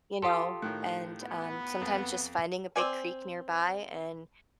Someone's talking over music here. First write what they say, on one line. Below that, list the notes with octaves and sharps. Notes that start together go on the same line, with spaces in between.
you know? And, um sometimes just finding a big creek nearby, and
F4 G4 A4 C6 D#6
A2 D#3 F#6
B3
F2
C4 C5 D5 G#5